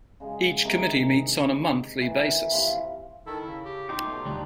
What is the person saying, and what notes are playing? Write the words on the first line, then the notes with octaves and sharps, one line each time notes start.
Each committee meets on a monthly basis.
C#3 F#3 G#3
C3 D#3 D#4 A#4
D#3 E3
C3 E4 F4 B5
D#3 E4 A4
C#3
G4
D#4 F4 G4
B2 F#3 A3
D2 F3 G3 D4 D#4